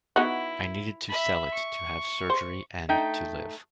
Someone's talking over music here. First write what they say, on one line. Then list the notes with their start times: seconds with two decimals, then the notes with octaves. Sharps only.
I needed to sell it to have surgery and to live.
0.16 B3 D#4 E4 F#4
1.09 E5 B5
1.54 C#6
2.30 C5
2.89 A3 D#4 G5